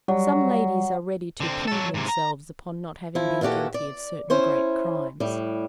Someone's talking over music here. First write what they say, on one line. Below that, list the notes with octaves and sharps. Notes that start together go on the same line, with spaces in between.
Some ladies are ready to plume themselves upon not having been guilty of certain great crimes.
F#3 G3
D3 C4
F#3 A4
G#2 C3
A#5
F3 E4
A#2 E3 F#4 G4 A4
D5
C#4 E4 C5 C#5
A2 G3